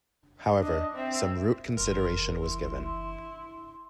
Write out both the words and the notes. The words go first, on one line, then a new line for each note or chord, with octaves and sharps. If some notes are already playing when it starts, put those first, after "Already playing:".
However, some route consideration was given.
D4 D#5
C4 E5
F#1 E3 A#4 C6
E4